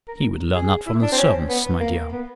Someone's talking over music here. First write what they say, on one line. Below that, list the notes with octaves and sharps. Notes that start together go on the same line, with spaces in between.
"He would learn that from the servants, my dear."
A#4
G#4
E4
D4
C4
C#4
B3
A#3
B3